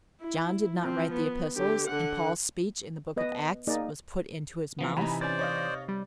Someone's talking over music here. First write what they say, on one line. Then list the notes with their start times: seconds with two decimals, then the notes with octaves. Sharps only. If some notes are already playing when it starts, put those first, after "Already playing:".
John did not write the epistles, and Paul's speech in the Book of Acts was put into his mouth!
0.21 E4
0.81 F3 C4
1.13 B3
1.56 D3 G4
1.88 D3 F#5
3.16 B3 B4 D#5
3.67 A#3 D#4 G#4 D5 D#5
4.79 E3 F3 B3
4.97 C3 E3 D#4 G#5 A#5 B5
5.21 C#4 C5 D5 A6
5.39 C#5 D#5 F5
5.88 G3